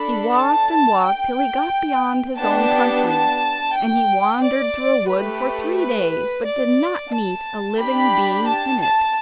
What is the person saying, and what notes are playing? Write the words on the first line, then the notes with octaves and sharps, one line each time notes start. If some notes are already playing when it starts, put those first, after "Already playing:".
He walked and walked till he got beyond his own country, and he wandered through a wood for three days but did not meet a living being in it.
Already playing: D4 A4 B5
A5
G5
B3 D4 G4 A5
A5
G5
D5
A3 G4 B4
B4
D5
A5
D4 G4 B5
A5
A5